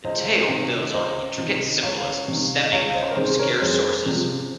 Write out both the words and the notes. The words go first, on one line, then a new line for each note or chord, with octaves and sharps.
The tale builds on intricate symbolism stemming from obscure sources.
C#2 C5 D#5
C3 D#3
C#2 C5 D#5
C3 D#3
C#2 C#5 F5
C3 D#3
D#5
C#2 C#5 F5
C5 D#5
A#4
C3 D#3 G#4 C5
A#4 C#5
F2 G#4 C5
C3 F3